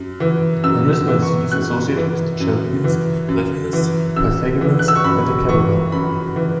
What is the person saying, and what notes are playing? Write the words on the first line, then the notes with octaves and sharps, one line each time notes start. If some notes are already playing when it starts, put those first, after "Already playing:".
Arithmancy is associated with the Chaldeans, Platonists, Pythagoreans, and the Kabbalah.
Already playing: F#2
E3
F#2 E6
E6
E3
C#6
F#2 F#6
E3
F#2
E3
F#2
E3
F#2 E6
E3
F#6
E6
C#6
F#2 B5
E3 C#6
F#2 B5
E3